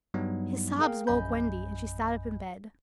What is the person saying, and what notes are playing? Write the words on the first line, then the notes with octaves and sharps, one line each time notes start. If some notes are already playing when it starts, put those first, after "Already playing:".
His sobs woke Wendy, and she sat up in bed.
G2 F#3 G3 B3 D#4
G#4 A#4 F5 G5
A#1 F#2 D#5 G#5 B5 G6